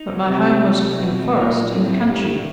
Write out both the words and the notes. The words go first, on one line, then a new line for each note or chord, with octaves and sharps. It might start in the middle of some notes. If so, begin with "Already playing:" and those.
But my home was in a forest; in the country.
Already playing: D#4
F#3
C3 C4
A3
C3 D#4
F#3
B2 C4
A3
A#2 D#4
F#3
A2 C4
A3
G2 A3
A3